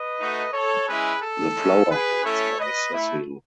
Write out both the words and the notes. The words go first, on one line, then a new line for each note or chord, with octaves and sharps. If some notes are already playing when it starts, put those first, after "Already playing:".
The flower heads are sessile.
Already playing: B4 D#5
A3 D#4 F#4
A4 C#5
G#3 C#4 E4 G#4 B4
A4
G#3 C#4 E4
G#4 B4
A3 C#4 E4 A4 C#5
B4 D#5
A3 E4